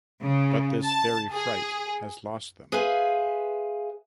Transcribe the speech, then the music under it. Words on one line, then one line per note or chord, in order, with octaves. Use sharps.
But this very fright has lost them.
C#3
A5
G#4
G#4 B4 C5 E5 F5 G#5